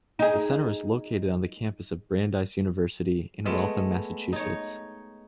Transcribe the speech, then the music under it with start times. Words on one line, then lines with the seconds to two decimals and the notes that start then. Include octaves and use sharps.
The Center is located on the campus of Brandeis University in Waltham, Massachusetts.
0.19 D#4 G#4
3.45 G#3 A3 B3
4.33 D#4 C#5